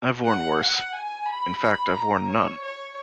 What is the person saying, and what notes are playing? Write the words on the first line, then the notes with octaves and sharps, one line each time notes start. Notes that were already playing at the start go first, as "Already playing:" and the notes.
I've worn worse — in fact, I've worn none.
F#5
F#5
G#5
B5
B5
A#5
C#5
C#5